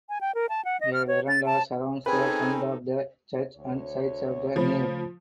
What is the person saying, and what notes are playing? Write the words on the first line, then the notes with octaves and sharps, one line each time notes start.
A veranda surrounds the front of the church and sides of the nave.
G#5
G5
A#4
A5
F#5
D#5
F6
C#5
A6
A5
C4 C#4 D#4 G#4 A4 B4
D2 C#5
C#3 F3 A3 B5